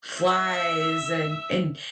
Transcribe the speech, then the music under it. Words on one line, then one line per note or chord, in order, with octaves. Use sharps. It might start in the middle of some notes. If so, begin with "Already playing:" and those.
flies and and
E5 E6